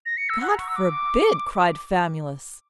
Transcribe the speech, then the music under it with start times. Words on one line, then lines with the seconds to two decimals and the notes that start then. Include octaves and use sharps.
"God forbid!" cried Famulus.
0.06 A#6
0.17 C#7
0.29 E6
0.41 F#5
0.50 A#5
0.59 C#6
0.68 E6
0.76 D6